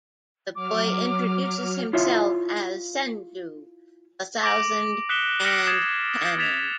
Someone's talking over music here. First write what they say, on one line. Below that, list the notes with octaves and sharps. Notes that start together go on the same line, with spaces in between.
The boy introduces himself as Senju, the Thousand-Hand Kannon.
F#3 D6 F6
E4 F4 C#5 E5
D6 A#6 D7 F#7
D#6 F#6 B6 C#7 E7 G7
F6 A#6 B6 C#7 D7 F#7
D#6 G#6 A6 C7 E7
D#6 G#6 A6 B6 E7 F7